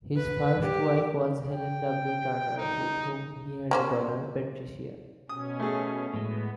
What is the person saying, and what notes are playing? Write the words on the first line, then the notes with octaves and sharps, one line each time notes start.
His first wife was Helen W. Turner with whom he had a daughter, Patricia.
B4
G4
G5
D#4
A#3 C#4 C5
B2 C#4 D#6
A3 G#4
A2 G#3 B3